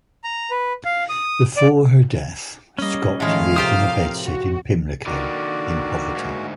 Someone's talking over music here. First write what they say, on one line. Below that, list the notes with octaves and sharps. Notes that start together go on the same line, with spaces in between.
Before her death, Scott lived in a bedsit in Pimlico in poverty.
A#5
B4
F5
D#6
D5
G3 A#3 C#4 D#5
A2 D#3 F3 G#3 A3 F5
C3 F3 F4 G4 A#4 C5 D#6
F#4
D3 D#3 A#3 F#4 D5
D2 G#2